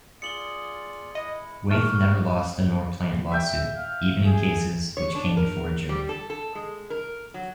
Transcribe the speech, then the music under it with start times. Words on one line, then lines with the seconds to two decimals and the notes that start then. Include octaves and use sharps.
Wyeth never lost a Norplant lawsuit, even in cases which came before a jury.
0.22 F4 G#4 D5 C#7 F#7 G7
1.15 G#3 E4 D#5
1.71 G#2 D#3 A3 C#6 F6 F#6
3.31 E5 G5
3.76 F5
4.26 G#4
4.97 C#5
5.15 D4
5.37 A#4
5.89 G3
6.09 A4
6.30 A4
6.55 G#3
6.90 A#4
7.34 F#3